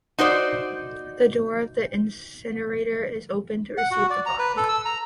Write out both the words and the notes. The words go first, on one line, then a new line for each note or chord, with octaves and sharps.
The door of the incinerator is opened to receive the body.
D#4 F#4 C5 D5
F#5
F#4
D5
A#5
B4
A4
E6
A#5